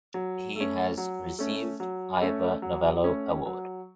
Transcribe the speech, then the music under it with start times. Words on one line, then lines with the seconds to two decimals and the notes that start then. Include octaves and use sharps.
He has received Ivor Novello Award.
0.14 F#3
0.56 A3 C#4
0.97 F#3
1.39 A3 C#4
1.80 F#3
2.21 A3 C#4
2.62 F#3
3.04 A3 C#4
3.46 F#3